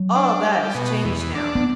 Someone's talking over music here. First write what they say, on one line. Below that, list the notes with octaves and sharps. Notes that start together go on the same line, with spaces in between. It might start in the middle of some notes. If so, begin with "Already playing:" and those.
All that is changed now.
Already playing: F#3
D4
G3
B2
E2
D4
B3